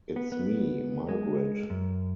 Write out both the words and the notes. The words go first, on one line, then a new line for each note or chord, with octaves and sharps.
It's Me, Margaret.
B3
B3
G#3
F#2